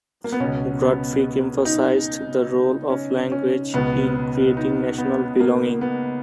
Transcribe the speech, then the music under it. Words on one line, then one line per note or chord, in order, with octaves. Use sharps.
Grundtvig emphasized the role of language in creating national belonging.
A#3
B3
C#2 B2 C#4
B3
D#4
C#4
C#4
C#2 B2 B3
D#4
B3
A#3
B3